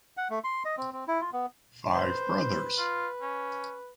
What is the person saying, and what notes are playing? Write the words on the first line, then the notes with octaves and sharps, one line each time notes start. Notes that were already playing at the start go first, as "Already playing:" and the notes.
Five brothers.
F#5
A3
C6
D#5
C4
C4
E4
F4
B3
B4 C5
F4
C#4